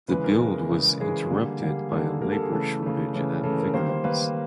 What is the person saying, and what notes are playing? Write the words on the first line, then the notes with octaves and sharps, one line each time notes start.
The build was interrupted by a labour shortage at Vickers.
C#3 E3 G#3 B4
A#4
C#3 E3 G#3
C#3 E3 G#3
C#3 E3 G#3 G#4
D3 G3 A#3
D3 G3 A#3
D3 G3 A#3 A4
D3 G3 A#3 A#4
A4
G#4
C#3 E3 A3 A4
C#3 E3 A3
C#3 E3 A3
C#3 E3 A3 A4
A#4
D#3 G3 A#3 C5
C5
D#3 G3 A#3 B4